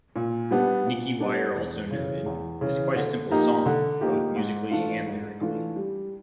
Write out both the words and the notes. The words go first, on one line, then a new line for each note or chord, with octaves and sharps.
Nicky Wire also noted, It's quite a simple song, both musically and lyrically.
A#2
G3 B3 D4
A#2
G3 B3 D4
E2
C#3 E3
E2
C#3 E3
D3
F3 A#3 D#4 G4
D3
F3 A#3 D#4 G4
G#2
E3 A3 D4 F4
G#2
E3 A3 D4 F4
G3